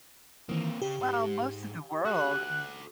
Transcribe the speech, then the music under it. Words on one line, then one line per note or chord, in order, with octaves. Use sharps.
Well, most of the world, I mean
D#3 E3 A#3 C4
C#3 G4
G#2
F#4 A4 F#6